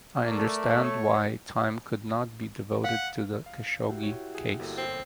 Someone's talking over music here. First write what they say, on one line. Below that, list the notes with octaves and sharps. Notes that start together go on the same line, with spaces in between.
I understand why time could not be devoted to the Khashoggi case.
A3 A#4 D5
C#5
F5 F#5
F5
E4 F#4 G4
C#5
G#4
G1 A#3 A4
C4